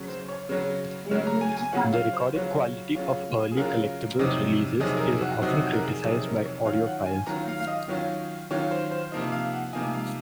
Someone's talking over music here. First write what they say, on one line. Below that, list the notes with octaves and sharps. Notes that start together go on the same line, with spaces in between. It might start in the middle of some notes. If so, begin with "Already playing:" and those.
The recording quality of early Collectables' releases is often criticized by audiophiles.
Already playing: C#3 F#3 C#4
C5
C#5
C#3 F#3 C#4
C#3 F#3 C#4
A#5
G#5
G#5
C#3 F#3 C#4 F4 F#5
F5
C5
C#3 F#3 C#4 F4 C#5
C#3 F#3 C#4 F4
G#4
C#3 F#3 C#4 F4 A#4
F2 C3 F#3 C4 D#4
F2 C3 F#3 C4 D#4 G#4
A#4
G#4
F#4
F2 C3 F#3 C4 D#4 F#4
F#4
A#4
G#4
F2 C3 F#3 C4 D#4 G#4
A#4
C#5
D#3 F#3 C#4 F4 F5
F#5
G#5
D#3 F#3 C#4 F4 A#5
F5
F5
D#5
D#3 F#3 C#4 F4
D#3 F#3 C#4 F4 C#5
C5
C5
C3 F3 A#3 D#4
F5
F#5
C3 F3 A#3 D#4 G#5
F5